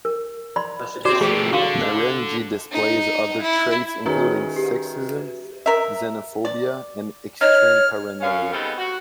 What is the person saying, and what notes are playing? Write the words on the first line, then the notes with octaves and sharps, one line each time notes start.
Marenghi displays other traits including sexism, xenophobia, and extreme paranoia.
A#4
D5 B5 C6
C4 F#4 C5 D5 D6
A3 G4 G#4
D3 F#4 F5 C#6
D#4
E4
D#3 C#4 F#4 G#4 B4 E5
G4
A#4 E5
D5
D#4 C#5 F6
F#2 C#4 F5
G3 B3 C4 D#4 G#4 A4
F#4